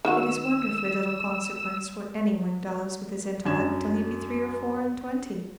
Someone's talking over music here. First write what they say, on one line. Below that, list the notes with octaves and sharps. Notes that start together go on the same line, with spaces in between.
It is wonderfully little consequence what any one does with his intellect till he be three or four and twenty.
D#3 F#3 F#4 E6
F#2 D4 G#6 E7